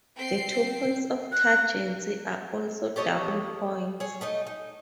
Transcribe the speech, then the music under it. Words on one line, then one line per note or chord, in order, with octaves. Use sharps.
The two points of tangency are also double points.
C4 G5 C7
F#6 A#6
G4 A4 C#5 D#5
G#4 C#5
A3 D#4 D#5
D#4